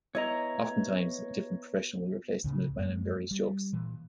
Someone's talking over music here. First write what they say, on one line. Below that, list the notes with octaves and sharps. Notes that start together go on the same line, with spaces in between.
Oftentimes, a different profession will replace the milkman in various jokes.
B3 E4 C#5 D#5 A#5
C#2 A2 C#3
F#2 G#3 A#3
G3
A#2 E3